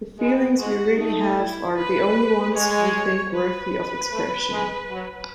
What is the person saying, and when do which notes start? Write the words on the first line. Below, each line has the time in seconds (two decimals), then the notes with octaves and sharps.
The feelings we really have are the only ones we think worthy of expression.
0.19 G#3 B3
0.58 G#3 F#4
0.97 A3 D#4
1.36 E4
1.77 B4
2.54 G#3 C#5
3.33 B4
4.11 A3
4.50 G#3
4.89 F#3